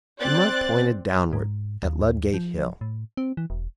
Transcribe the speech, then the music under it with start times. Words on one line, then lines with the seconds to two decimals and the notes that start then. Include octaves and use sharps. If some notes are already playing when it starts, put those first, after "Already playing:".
The monk pointed downward at Ludgate Hill.
0.20 C4 C5 D5 F#6 A6
1.33 G#2
1.83 D#2
2.34 F3
2.81 A2
3.17 C4
3.37 E3
3.50 E1